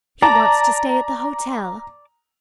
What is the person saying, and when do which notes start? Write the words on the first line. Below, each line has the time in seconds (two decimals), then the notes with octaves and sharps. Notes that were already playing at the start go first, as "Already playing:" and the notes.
He wants to stay at the hotel.
0.22 D5 A5 A#5